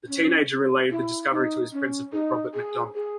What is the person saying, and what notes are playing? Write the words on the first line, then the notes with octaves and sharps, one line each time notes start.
The teenager relayed the discovery to his principal, Robert McDonald.
C#4
E4
D#4
C#4
D#4
G#4
G#4